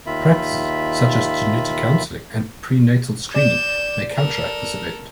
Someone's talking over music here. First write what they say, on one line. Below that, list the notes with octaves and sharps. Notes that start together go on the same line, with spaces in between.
Practices such as genetic counselling and prenatal screening may counteract this effect.
D#2 D#3 F4 E5 B5
D5 G6 E7
A4 A#4